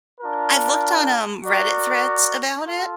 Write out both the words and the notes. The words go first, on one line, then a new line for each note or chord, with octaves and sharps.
I've looked on, um, Reddit threads about it,
D4 F4 A#4
F#4 A#4 D5
F4 A4